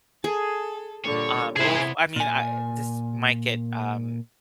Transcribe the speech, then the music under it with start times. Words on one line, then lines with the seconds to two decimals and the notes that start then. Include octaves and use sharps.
um well, I mean, I this might get, um
0.24 G#4 A4
1.05 A#2 D3 G3 C#5
1.56 C3 B3 E4 G#4 C5
2.16 A#2 G#5